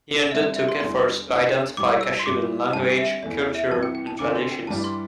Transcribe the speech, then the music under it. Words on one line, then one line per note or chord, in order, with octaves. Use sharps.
He undertook efforts to identify Kashubian language, culture and traditions.
D5
D3 G3 C4 A4 E5
D5
E5
C6
E2 D3 G3 C6
E2 D3 A3
A2 E3 G3 E4 G4 D6
E6
C6
A2 G3 E4 D6
D2 D3 G3 C4 A5
E5
E2 E3 A3 D5
D5
E5
C2 C3 E3 A5
G5
G5
A5
D2 D3 C4 A4 D6
C6
G5
G2 E3 G3 D4 G4 A5
C6